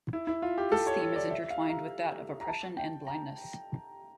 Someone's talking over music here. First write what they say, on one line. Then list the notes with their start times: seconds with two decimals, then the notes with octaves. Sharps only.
This theme is intertwined with that of oppression and blindness.
0.13 E4
0.27 E4
0.42 F4
0.58 G4
0.72 A4
0.87 C#5
1.01 C#5
1.16 D5
1.31 E5
1.50 F5
1.69 A#5
2.41 A#5
2.48 A5
2.77 G5
3.07 A#5